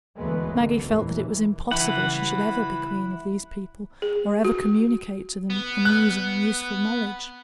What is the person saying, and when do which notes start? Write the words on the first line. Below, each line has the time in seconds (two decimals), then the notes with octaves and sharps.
Maggie felt that it was impossible she should ever be queen of these people, or ever communicate to them amusing and useful knowledge.
0.18 D2 E3 F#3 G#3 A3 B3
0.49 G#1 D3 A#3
0.89 D#2 A#2 E3
1.71 C#3 E3 G3 F#5 B5
4.02 G#4
4.45 F#4
5.50 B3
5.85 F#6